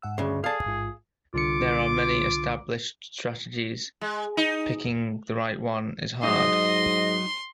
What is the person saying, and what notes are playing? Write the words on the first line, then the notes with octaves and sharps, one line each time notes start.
There are many established strategies, picking the right one is hard.
G#2 F#5 E6
D2 G2 C#3
G#4 A4 D5 F5 A5 A6
A1 G#2 F4
C2 D3 F4 D6 C#7
G#3
D#4
G#2 F#3 D#4 D#5 C6